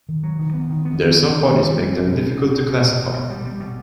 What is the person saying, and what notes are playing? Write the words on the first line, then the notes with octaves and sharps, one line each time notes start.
Their soft bodies make them difficult to classify.
D#3
F#3
D#3
B3
D#3
B3
D#3
B3
D#3
D#3
G3
G3
C4
B2
C4
B2
B2
B2
B2
B2
B2
G3
G3
B2